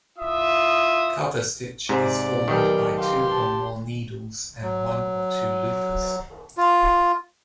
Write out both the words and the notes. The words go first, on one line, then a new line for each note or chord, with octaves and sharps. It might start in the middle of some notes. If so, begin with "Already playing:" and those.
Coverstitch is formed by two or more needles and one or two loopers.
E4 F4 E5 D#6
G#2 C3 D5
B1 D#3 G4 A#4
G4 F5 C6
A5
F#3
F4